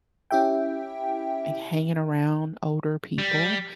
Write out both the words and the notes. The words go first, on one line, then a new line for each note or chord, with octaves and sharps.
like, hanging around older people,
C#4 E4 G4 E5 G5
G3